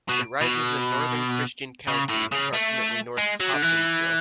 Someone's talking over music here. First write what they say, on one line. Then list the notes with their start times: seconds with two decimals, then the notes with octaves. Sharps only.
It rises in northern Christian County, approximately north of Hopkinsville.
0.09 B2
0.41 B2
1.88 C#3
2.10 A2
2.32 C#3
2.54 A3
3.18 G#3
3.40 F#3
3.54 D3
3.62 E3